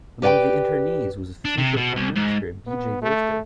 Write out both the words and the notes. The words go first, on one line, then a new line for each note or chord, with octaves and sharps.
Among the internees was future prime minister B. J. Vorster.
G4 B4 D5 F#5 G5
D4
C3
B2
C2
G#2
B3
A3